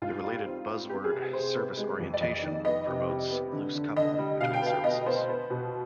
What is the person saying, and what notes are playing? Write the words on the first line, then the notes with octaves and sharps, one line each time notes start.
The related buzzword service-orientation promotes "loose coupling" between services.
G#2 F4
G3
C4
C4
B3 G4
G#4
C3
C3 C5
B3
G#3
F2
D5
F2 D#5
D#3
B3 D#5
C3
G3
B3
D3
D3
D3 D#5
G3
B2 F5
G5
B3 F5
B3 D#5
B3 C5
B3
B2